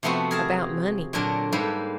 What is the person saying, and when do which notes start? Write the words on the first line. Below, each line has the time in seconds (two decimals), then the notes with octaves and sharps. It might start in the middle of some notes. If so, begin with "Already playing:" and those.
"About money."
0.03 C3 F3 A3 B3 C4 F#4
0.31 G#4 A#4 A5
1.13 A#2 D3 F#3 D4 A#4
1.52 G#2 G3 A#3 A4 B4